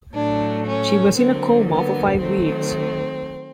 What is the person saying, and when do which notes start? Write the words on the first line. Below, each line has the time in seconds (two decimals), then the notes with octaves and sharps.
She was in a coma for five weeks.
0.13 A2 F#3 A3 D4
0.65 C#4
1.16 D3 F#3 A#3 C4
1.69 B3
2.19 D#3 F#3 A3 C4